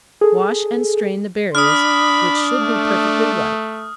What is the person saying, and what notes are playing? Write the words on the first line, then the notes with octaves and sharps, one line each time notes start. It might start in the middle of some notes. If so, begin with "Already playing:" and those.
Wash and strain the berries, which should be perfectly ripe.
G#4 A4
D4 B5 D#6 F6
A3